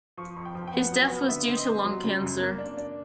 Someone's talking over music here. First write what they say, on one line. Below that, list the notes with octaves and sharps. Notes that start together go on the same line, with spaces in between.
His death was due to lung cancer.
F3 C#6
F2
G5
F3
G5
B3 F#5
F#3
B3
D3 E5
C4
D#5
C4
F#3
C#3
F#2
A#3
D4
D4